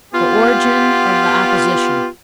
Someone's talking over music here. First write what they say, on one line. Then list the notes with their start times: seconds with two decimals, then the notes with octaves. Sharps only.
The Origin of the Opposition.
0.14 B3 F4 G4